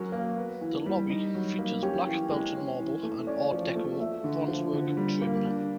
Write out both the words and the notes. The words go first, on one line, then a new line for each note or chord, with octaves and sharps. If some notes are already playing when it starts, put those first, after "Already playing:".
The lobby features black Belgian Marble and Art Deco bronzework trim.
Already playing: F#3 G#3 C#4 A#4
A#3
B3
E3
G3
D#4
F#3
A#3
C#4 G4
E3
G#3
C#4
E3
A3
C#4 D5
F3
A3
A3 E5
D3
F3
D3
G3
A#3
D4